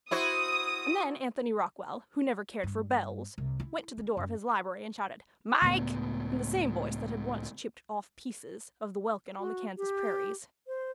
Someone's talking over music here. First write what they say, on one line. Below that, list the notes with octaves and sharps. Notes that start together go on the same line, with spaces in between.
And then Anthony Rockwall, who never cared for bells, went to the door of his library and shouted "Mike!" in the same voice that had once chipped off pieces of the welkin on the Kansas prairies.
E4 F#4 C5 D#6
G2
C2
E4
C#4
F#2
C#2 A2 B3
F#4
G4
C5